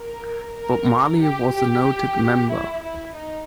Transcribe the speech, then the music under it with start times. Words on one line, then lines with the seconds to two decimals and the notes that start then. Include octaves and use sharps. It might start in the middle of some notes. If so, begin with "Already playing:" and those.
Bob Marley was a noted member.
Already playing: A#4
0.58 A#4
1.22 G4
1.55 G4
2.51 E4
2.83 E4
3.16 D#4